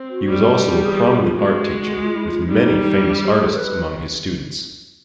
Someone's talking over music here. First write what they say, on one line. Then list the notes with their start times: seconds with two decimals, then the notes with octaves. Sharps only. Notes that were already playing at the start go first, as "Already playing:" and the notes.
He was also a prominent art teacher, with many famous artists among his students.
Already playing: C4
0.10 F#4
0.28 G3
0.83 G#4
0.94 G#4
1.01 G4
1.19 F4
1.32 F4
1.38 G#3 F#4
1.92 F#4
2.04 F4
2.16 E4
2.26 F4
2.47 G3 D#4
3.01 D4
3.16 G4
3.30 G#4
3.43 A4
3.56 B4